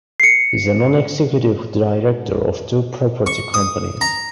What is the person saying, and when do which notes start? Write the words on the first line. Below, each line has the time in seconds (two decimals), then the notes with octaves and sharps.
He is a non-executive director of two property companies.
0.20 C7 C#7
3.26 C#6
3.54 D#6
4.01 A#5